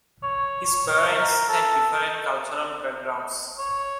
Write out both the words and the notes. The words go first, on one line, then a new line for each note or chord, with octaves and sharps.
His parents had different cultural backgrounds.
C#5
C#5
C#5
A#4
A4
C#5